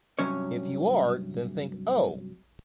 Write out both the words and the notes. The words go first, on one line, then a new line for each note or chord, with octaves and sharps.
If you are, then think Oh!
G2 C3 F#3 C#4 C#5